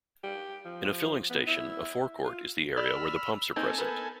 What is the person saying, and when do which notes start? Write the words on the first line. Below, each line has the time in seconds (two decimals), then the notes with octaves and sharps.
In a filling station a forecourt is the area where the pumps are present.
0.23 G4
0.65 F3
1.30 B3
1.47 E4
2.24 F4
2.77 D5 B5 E6 F6
3.56 A#3 C4 D#4 A4 G#5
3.78 B3 A#4 B4